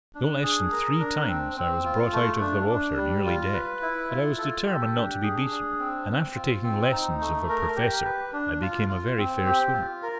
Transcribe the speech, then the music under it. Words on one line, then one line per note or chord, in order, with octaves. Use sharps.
No less than three times I was brought out of the water nearly dead; but I was determined not to be beaten, and after taking lessons of a professor I became a very fair swimmer.
D4
G#4
A#4
D4
C4
C4
F4
A3
D4
D4
G3
F4
B4
E4
F4
A4
G4
D4
G#4
D4
C4
C4
F4
C4
D#4
A3
A#4
G4
B4
D4
F4
F4
C4
G4
F4
A#4